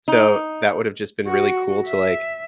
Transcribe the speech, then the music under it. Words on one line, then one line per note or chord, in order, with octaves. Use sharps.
So, that would’ve just been really cool to, like,
D#4
F#4
E5